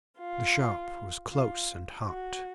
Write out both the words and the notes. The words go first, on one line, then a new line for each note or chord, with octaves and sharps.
The shop was close and hot.
F4
F4
F#4